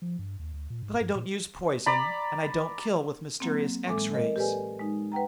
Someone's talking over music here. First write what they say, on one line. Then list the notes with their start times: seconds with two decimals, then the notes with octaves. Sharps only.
But I don't use poison, and I don't kill with mysterious X-rays.
0.02 F3
0.19 G2
0.39 D#2
0.54 D2
0.70 A#2
0.82 G#2
1.01 G2
1.15 A#2
1.86 D5 A#5 B5
3.40 F#3 A#3 C4
3.87 A2 E3 G#3 A4 D6
4.13 A#4 D#5
4.36 G4 A4 B4 D5 G#5
4.79 G#3 D#4
5.12 B4 F#5 G5 A#5